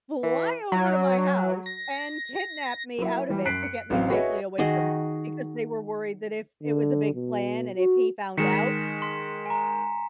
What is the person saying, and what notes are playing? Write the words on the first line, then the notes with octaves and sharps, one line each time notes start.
fly over to my house and kidnap me out of it to get me safely away from him, because they were worried that if it was a big plan, and if he found out
E3
F#3
A#6
F#3 A#3 E4
E3 G3
F#2 F#6 B6 C7 D7
C#7
A1 F#3 C4 F5
F#4 G#4 B4 C#5 D#5 E5
D#3 F#4 G#4 D#5
D3
B2
F#4
D#3 G#3 A#4 B6 C#7 E7
B6
C6 B6
G#5 A#5